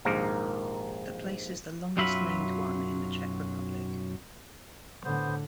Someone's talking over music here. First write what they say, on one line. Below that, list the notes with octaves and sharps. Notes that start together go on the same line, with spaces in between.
The place is the longest-named one in the Czech Republic.
A#1 D#2 G#2 A#3 A#4
B1 F#2 F#3 F4 E5 B5
A2 D3 B3 C5